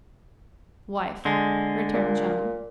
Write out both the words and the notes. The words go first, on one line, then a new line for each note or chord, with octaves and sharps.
"Wife," returned John.
D3 G#3
A#2